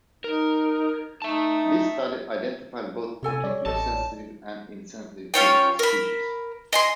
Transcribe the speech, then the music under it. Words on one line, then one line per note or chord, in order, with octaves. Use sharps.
This study identified both particularly sensitive and insensitive groups of species.
D#4 A#4
D#4 E5 A5
C3 C#4 A4 G#5
G3 C#5 D5
A1 A4 D#5 A5
C#4 F4 C#5 G5
A#4 B5
D#5 G#5 C6